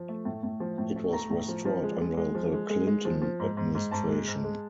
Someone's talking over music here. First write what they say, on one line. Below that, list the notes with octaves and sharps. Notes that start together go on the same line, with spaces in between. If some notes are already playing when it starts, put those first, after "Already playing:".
It was restored under the Clinton administration.
Already playing: F3
A3
A2
A2
F3
A2
A3
A3 A#5
A2
F3
F3
G#3
G#3
G#3
F3
G#3
G#3
G#3
F3
F3
G#2
G#2
G#2
G#2 A5
G#3
G#2
G#3